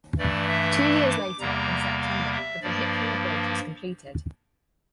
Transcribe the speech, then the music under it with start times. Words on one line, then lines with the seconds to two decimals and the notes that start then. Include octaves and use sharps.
Two years later, in September, the vehicular bridge was completed.
0.18 G2 E3 A3 D5
0.48 E5
1.10 D6
1.40 E2 C3 G3 A#3 A#5
2.01 F5
2.32 E5
2.62 G2 F3 A#3 D5